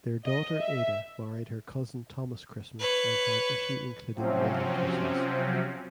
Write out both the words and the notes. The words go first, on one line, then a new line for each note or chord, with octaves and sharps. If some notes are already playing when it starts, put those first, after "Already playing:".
Their daughter Ada married her cousin Thomas Christmas and had issue including William Christmas.
D#5
E5
B4 C#5
C3 F3 F#3 C4 C#4